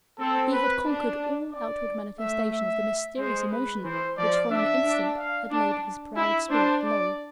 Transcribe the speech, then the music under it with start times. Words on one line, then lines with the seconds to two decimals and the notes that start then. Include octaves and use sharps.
He had conquered all outward manifestation of the mysterious emotion which for an instant had laid his proud spirit low.
0.19 C4 A4
0.52 B4
0.85 D4
1.52 D5
2.18 A3 E5
2.52 E5
3.18 G#3 C5
3.51 B4
3.84 E3 C5
4.18 F3 D5
4.50 D4 E5
4.84 D4
5.17 F5
5.51 D4
6.16 E4 E5
6.49 D4 C5
6.84 D5